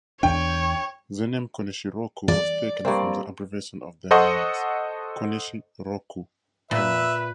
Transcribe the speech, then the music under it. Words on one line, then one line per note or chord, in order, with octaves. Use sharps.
The name Konishiroku was taken from the abbreviation of their names, "Konishi Roku"emon.
E2 D4 C#5 G5
D5
G2 A#3 C4
A4 C5 D#5 F#5 C#6
A#2 B4 E5